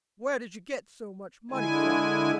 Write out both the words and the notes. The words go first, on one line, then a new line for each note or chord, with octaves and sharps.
'Where did you get so much money from?'
D3 G#3 E4 G#5